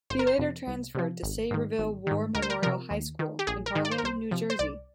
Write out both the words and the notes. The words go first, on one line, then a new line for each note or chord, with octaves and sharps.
He later transferred to Sayreville War Memorial High School in Parlin, New Jersey.
G1 C5
A#4
C5
F2 C3
C2
C3 F3
G#1
G#2 D#3
G#1
G#2 D#3
D2 A#4
C5
A#4
C3 F3 A#4
D#2
D#3
G4
A#1 G#4
A#4
G#2 D#3
D5
C5
A#4
C2 C5
C3 F3
C5
C2 D5